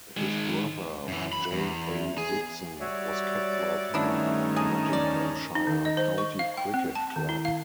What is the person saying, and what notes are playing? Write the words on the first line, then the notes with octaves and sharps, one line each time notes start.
His brother, J A Dixon, was captain of Nottinghamshire County Cricket Club.
D#3 G#3
F#2 E3
B5
E2
G#4
G3 F#4 C#5 D5 E5
G2 D#3 A3 C#4 D4 E4 E5 F#5
G#4 A5 A#5 D#6
D5
D#4
D#3
D#5
C5
C#6
F5
G5
C4
A5
D#3
E4
F5